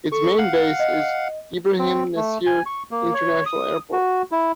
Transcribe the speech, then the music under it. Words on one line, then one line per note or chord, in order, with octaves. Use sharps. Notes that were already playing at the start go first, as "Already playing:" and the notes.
Its main base is Ibrahim Nasir International Airport.
A4 C#6
F5 F#5 F#7
D#5
C4
A3
G#5
C#6
A#3
C#5
D#6
F#4
E4